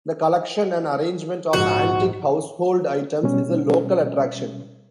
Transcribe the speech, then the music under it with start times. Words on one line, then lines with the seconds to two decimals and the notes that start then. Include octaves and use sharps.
The collection and arrangement of antique household items is a local attraction.
1.53 A#1 G#2 F#4
3.23 B2 G3 C#4